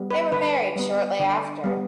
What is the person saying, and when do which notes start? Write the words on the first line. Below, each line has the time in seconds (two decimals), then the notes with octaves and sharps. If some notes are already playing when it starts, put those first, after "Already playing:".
They were married shortly after.
Already playing: G3 B3
0.11 B4
0.32 D3 B4
0.76 G3 B3
1.19 D3
1.64 G3 B3